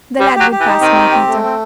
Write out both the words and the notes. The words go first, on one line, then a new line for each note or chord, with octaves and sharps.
'The lad will pass, my Peter.
G3 G4
F#3 G4
G4
E3
D#4
D#3 C4
G4
C4
A3
C4